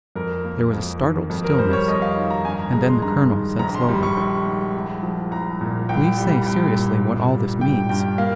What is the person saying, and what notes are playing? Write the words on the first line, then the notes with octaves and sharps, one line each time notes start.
There was a startled stillness, and then the colonel said slowly, "Please say seriously what all this means."
F2 A#4
A#3
F2
D#3
F2
A#4
G3 C5
C#5
F2 D#5
F5
D#3
A#5
G2 G#5
A#5
G#3 A#5
C6
G2 A#5
D#3
A#1 A#5
C6
G3
C#6
A#1
G#2
C2
F3
C2 A#5
A#2
C2 G5
G3
C2 G5
A#2
G1
G3
G1 G5
G2 G5
A#3 F5